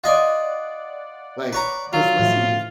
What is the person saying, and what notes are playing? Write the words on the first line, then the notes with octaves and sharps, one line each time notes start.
like, Christmas Eve,
F4 D5 D#5 F#5 G#5
B4 C#5 A#5
F#3 F4
A2 E3 F3